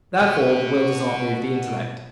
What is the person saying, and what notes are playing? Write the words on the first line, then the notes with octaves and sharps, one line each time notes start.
Therefore the will does not move the intellect.
B2 B4